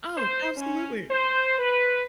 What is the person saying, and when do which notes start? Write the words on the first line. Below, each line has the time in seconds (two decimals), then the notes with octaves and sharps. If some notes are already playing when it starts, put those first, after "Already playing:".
Oh, absolutely.
0.17 C5
0.57 C#4
1.11 C5
1.59 B4